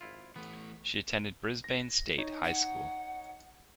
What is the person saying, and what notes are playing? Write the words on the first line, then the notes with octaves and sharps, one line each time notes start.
She attended Brisbane State High School.
G#1 E4 F4
E3 A3 B3
A#6
D#4 C#5
F#5